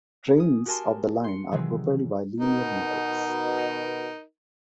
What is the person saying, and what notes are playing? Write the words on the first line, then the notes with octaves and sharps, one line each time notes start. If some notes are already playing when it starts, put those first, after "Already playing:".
Trains of the line are propelled by linear motors.
C#4 D#6
F#4 G4 A#4 G#5 A5 C6
C6 C#7
C3 D#3 E3 F#3 G#3 C4
B2 D#4 A#4